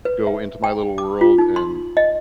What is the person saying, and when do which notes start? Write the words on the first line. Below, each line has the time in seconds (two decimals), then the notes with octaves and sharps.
go into my little world and
0.05 B4
0.27 E5
0.64 G5
0.98 D6
1.21 F4
1.38 D#4
1.56 C6
1.97 D#5